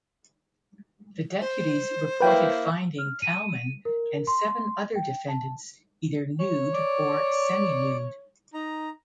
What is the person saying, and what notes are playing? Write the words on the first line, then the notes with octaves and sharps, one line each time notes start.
The deputies reported finding Talman and seven other defendants either nude or seminude.
C5
A#3 E4 B4 G5
F6
D#7
A#4
C6
G5
A5
C#5
D5
D#4 A#5